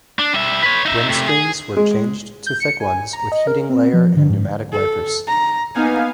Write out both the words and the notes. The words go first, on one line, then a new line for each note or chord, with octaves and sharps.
Windscreens were changed to thick ones with heating layer and pneumatic wipers.
D4
G3 E5
B4 C#5
D#4 E5
C3 A3
G#4
G#3
G6
C#7
G#5
A#5
D#5
A#4
C4
F3
D3
G#2
A4
A#5
A#3 B3 D#4 F5 G#5